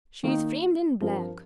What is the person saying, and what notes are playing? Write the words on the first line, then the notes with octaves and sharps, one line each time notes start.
'She's framed in black.
D#3 A#3 D#4
G2 F3 C4 G4 A#4